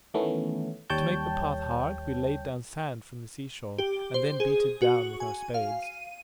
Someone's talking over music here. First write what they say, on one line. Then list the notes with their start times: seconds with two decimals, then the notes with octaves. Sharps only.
To make the path hard we laid down sand from the sea shore, and then beat it down with our spades.
0.14 D#3 E3 A3 B3 C#4
0.90 D#2 G3 C#5 G5 A5 G6
3.78 G4
4.14 C5
4.40 G#4
4.82 F#4
5.20 G#5
5.54 F5
5.83 D#7